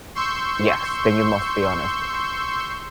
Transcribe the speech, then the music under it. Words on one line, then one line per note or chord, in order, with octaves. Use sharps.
Yes, then you must be honest.
C6 C#6 E6 G6